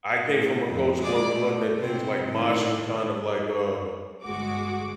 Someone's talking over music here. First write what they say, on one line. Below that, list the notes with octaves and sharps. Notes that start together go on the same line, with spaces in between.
I came from a culture where we looked at things like moshing kind of like, uh
A2
F2
G#3 D5
A3
C3 C4
A2 D#3
G1 G#3 F#4 D6